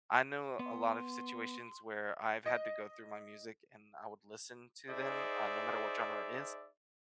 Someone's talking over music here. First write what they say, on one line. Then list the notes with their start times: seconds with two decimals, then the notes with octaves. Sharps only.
I know a lot of situations where I've had to go through my music and I would listen to them, uh, no matter what genre it is,
0.59 B3 C6
2.46 D#5
4.90 D#4 G#4 C5 D5 E5